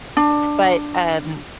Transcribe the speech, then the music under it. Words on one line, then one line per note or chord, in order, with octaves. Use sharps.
but, um,
D4